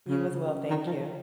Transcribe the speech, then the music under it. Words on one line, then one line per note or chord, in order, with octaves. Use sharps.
You as well, thank you.
C#3
D#3
F3